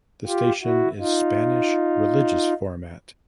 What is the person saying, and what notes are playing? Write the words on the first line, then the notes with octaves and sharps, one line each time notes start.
The station is Spanish religious format.
F4 G4
E4 F#4
D#4 F4